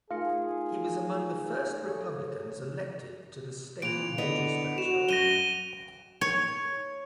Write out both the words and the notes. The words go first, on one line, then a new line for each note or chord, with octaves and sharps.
He was among the first Republicans elected to the state legislature.
A3 D#4 F4 G#4 A#4 F5 C#7
G#4 A4 C#5
F2 A#2 E3 D7 F7
D3 E3 B3 D#5 F7
F#4 E7
F#2 A#6 D#7 G7
C#5